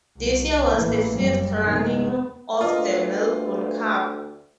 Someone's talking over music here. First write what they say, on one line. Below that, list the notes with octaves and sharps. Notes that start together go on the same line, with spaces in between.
This year was the fifth running of the Melbourne Cup.
C2
A1 E3 A#3
F#1 G3
E2 C3 D#3 G#3
D2 B3 F4 A#4 D5 D#5